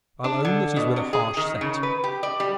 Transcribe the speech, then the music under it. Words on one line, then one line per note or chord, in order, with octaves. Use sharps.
I'll own that he's with a harsh set.
D4
D3
B2
C3
G#4
D#3
C#3
B4
G4
D5
G3